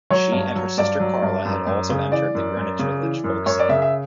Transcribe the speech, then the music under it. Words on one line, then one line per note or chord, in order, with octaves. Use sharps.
She and her sister Carla had also entered the Greenwich Village folk scene.
F#3 C#5
G2
F#3
G2 D5
F#3
G2
F#2
F#2
C#3
E3 D5
F#2
F#2
C#3
E3
F#2
F#2 C#5
D5
C#3 E5
E5